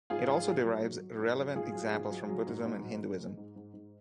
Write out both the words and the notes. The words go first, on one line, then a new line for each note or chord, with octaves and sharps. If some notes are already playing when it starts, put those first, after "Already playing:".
It also derives relevant examples from Buddhism and Hinduism.
G#2 F4 G#4
G#2
G#2
F#3
F#3
F#3
G#2
F#3
G#2 F4 G#4
F#3
G#2
F#3
F#3
G#2
G#2
F#3
G#2
G#3
G#2
G#2
G#2